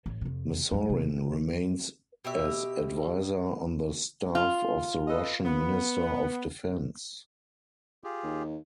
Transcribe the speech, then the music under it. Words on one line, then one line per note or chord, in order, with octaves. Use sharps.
Masorin remains as advisor on the staff of the Russian Minister of Defense.
A1
F2 C3
F#2 G3
C3 A3
B2 G4 E5
F4
A4 B4 D#5
B3
F4 G4 G#4
D#2